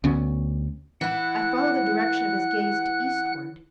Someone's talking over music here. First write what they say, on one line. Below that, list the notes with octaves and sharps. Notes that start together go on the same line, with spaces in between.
I follow the direction of his gaze to eastward!
D2 B3 C#4
E3 E4 F#5 F#6